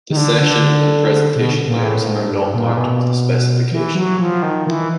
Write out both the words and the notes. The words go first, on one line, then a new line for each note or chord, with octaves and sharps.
The session and presentation layers are not part of the specification.
D#3
D3
D3
B2
A#2
A2
G#2
G2
A#2
B2
E3
F#3
F3
D#3
E3